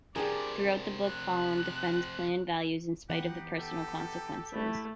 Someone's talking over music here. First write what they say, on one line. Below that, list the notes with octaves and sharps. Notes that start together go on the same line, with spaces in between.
Throughout the book Calum defends clan values in spite of the personal consequences.
C3 F3 G3 D4 G#4 A#4 D5 G#5
F#6
E3 B3 D#4 G4 F#5
A4
A3 E4 G4 B5